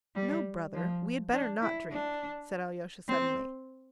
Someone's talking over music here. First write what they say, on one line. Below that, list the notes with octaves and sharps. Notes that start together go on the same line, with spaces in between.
"No, brother, we had better not drink," said Alyosha suddenly.
G3
F3
D4
E4
D4
C4